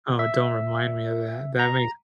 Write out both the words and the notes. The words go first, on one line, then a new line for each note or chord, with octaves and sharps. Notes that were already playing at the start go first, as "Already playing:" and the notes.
Oh, don't remind me of that, that makes
E5
A#5